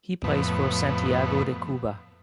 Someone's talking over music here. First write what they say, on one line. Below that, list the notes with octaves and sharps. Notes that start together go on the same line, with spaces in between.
He plays for Santiago de Cuba.
F2 A2 B3